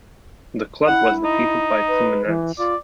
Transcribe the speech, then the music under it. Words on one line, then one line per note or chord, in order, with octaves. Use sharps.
The club was defeated by Fluminense.
E4 F#5
D#4
B4
E3
F4 D5